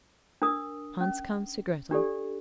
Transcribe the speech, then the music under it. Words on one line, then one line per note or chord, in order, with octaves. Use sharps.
Hans comes to Grettel.
D4 A#4 D#6
C#4
D4 G4 A4 D5